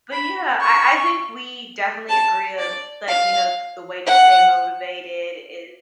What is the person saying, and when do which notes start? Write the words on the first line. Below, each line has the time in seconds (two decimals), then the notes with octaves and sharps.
but, yeah, I I think we definitely agree of, like, you know, the way to stay motivated is
0.12 B5
0.61 C#6
2.09 A5
2.59 D5
3.08 F5
4.06 F#5